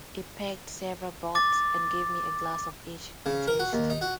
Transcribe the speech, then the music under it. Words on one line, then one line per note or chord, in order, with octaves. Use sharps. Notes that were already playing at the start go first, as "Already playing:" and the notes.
He pegged several butts, and gave me a glass of each to taste.
D6 A6
C#3
A#4
F#4
D#2
D#4
F#4